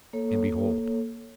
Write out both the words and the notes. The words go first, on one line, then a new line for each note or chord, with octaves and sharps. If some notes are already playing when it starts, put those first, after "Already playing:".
And behold!
A#3 A4 C#5